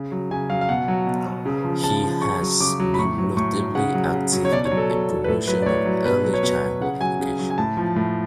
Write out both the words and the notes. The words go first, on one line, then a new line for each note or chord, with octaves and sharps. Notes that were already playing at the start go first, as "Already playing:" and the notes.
He has been notably active in the promotion of early childhood education.
Already playing: C#3
F#3
C#3 G#5
F#3 F5
F5
B2 F#5
F#3
B2
F#3
C#3
F3
C#3 A5
F3
C#3 C#6
F#3
C#3 D6
F#3
B5
A2 C#6
F#3
A2 C#6
F#3
C#3 F#5
F#3
C#3
F#3
C#5
B2 D5
C#5
F#3
A4
B2 A4
F#3
B4
A2 A4
F#3 B4
D5
A2 C#5
F#3
B2 B4
F#3
C#5
B2 B4
F#3
C#3 F#5
F#3 G#5
C#3
F#3
G#5
A2 A5
F3
A2